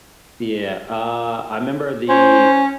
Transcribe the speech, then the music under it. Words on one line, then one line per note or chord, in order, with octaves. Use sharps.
Yeah, uh, I 'member the,
C#4 C5